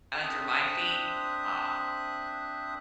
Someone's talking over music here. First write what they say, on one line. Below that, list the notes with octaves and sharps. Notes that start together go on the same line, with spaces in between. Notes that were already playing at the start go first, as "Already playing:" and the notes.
under my feet, uh,
C4 D4 C5 E5 D#6 F#6